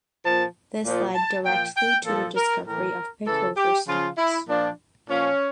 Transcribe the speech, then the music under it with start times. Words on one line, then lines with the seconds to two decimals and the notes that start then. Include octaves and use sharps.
This led directly to the discovery of Pickover stalks.
0.24 A#2 F3 A5
0.85 A#2 F3
1.15 A5
1.44 A#2 F3 G5
1.76 G5
2.05 A#2 F3 A4
2.36 A#4
2.66 A2 E3 A#4
3.26 C#3 E3 A4
3.57 G4
3.87 C#3 F3 F4
4.17 E4
4.48 A#2 F3 D4
5.08 A#2 F3 C#4